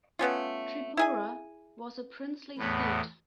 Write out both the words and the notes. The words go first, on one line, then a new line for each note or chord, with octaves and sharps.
Tripura was a princely State.
A3 B3 C#4 F4
E4 G#4 G#5
E2 A2 B3